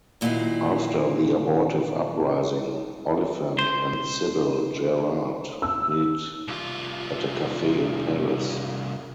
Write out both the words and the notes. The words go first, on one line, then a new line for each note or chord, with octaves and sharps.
After the abortive uprising, Oliphant and Sybil Gerard meet at a cafe in Paris.
D#2 A#2 F#3 D#4 E4 F5
C5
E6
C2 F4